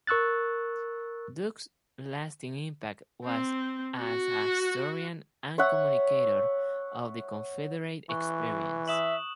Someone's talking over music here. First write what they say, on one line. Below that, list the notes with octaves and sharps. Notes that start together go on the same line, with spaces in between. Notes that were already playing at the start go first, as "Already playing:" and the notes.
Duke's lasting impact was as a historian and communicator of the Confederate experience.
A#4 C#6 E6 F#6 A6
C4
F#4
C#5 E5 F#5
E3 C#6 F#6
E5 D#6 E7 F#7